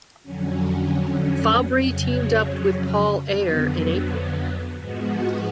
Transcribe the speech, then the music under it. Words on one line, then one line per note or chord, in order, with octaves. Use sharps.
Fabbri teamed up with Paul Ayer in April.
F2 D3 F#3 C#4
F2 C#3 F#3 C#4
F2 D3 F#3 B3
G#2 F3 G#3 B3 F#4